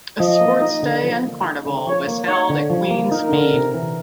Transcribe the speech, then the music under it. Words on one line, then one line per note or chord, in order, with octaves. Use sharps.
A sports day and carnival was held at Queen's Mead.
F3 D#5
A#3
D#4
D3
F3
A#3
D#4
D3
F3 C#5
A#3
D#4 C#5
D3
F3
A#3
D#4 A#4
D3
C3
E3